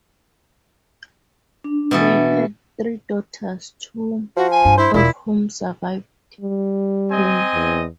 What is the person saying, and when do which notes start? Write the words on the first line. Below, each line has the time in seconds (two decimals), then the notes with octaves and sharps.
They had three daughters, two of whom survived him.
1.64 D4
1.91 B2 E3 A4
4.37 F3 F#4
4.50 G#5
4.65 G2
4.77 E4 C5
4.94 E1 A#2 E4
6.41 G3
7.11 C4 D#5 G#5
7.54 E2